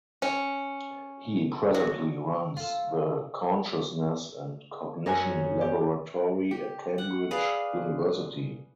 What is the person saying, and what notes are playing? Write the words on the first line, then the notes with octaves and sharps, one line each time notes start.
He presently runs the Consciousness and Cognition Laboratory at Cambridge University.
C#4
F#3
F4 A4
F#2 A#4 C#5 G#5 F#6
G4
G4
F#5
G#4 B4 D5 F5